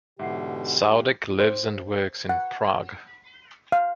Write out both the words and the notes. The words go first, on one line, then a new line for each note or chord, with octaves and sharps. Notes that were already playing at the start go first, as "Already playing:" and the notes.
Saudek lives and works in Prague.
G#2 B2 D3 E3 G4 E5 F#5 C7
C5
F#5
F5